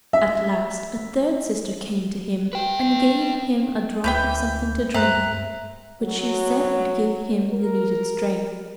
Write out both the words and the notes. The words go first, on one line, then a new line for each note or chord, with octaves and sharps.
At last a third sister came to him and gave him a drop of something to drink, which she said would give him the needful strength.
E5
B4 G5
D2 E3 B4 G5 G6
G2 C4 E5 A#5 F#6
F#3
A#4